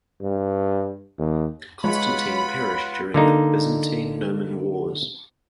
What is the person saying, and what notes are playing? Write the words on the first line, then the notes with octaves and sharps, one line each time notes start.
Constantine perished during the Byzantine–Norman wars.
G2
D#2
G#3 F4 B4 C#5 F#5 B5
D3 A#3 D#4